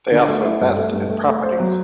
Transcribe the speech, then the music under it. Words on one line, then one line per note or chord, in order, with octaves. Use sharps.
They also invest in properties.
D3
A3
E4
G2
A3
G2
A3
A3
C5
F#3